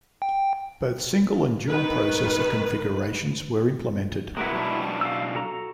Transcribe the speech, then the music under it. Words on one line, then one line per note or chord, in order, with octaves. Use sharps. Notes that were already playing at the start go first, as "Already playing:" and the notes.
Both single and dual processor configurations were implemented.
G5
D#3 B4
G#3 A#3 E4 F#4 B4
B2 F#3 D4
F5 E6
F#4 A4 A#5